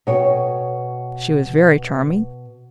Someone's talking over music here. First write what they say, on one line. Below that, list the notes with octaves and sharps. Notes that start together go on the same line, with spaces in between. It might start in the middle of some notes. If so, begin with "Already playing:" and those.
She was very charming.
B2 C#5 G5